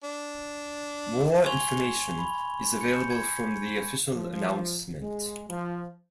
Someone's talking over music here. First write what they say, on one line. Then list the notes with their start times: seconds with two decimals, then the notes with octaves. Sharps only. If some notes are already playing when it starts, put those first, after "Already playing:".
More information is available from the official announcement.
0.04 D4
1.44 G#5 C6 C#6 G#6 F7 G7
2.18 B5
2.81 G6 C#7
3.10 G#6
4.13 F3
5.00 G#3
5.50 F3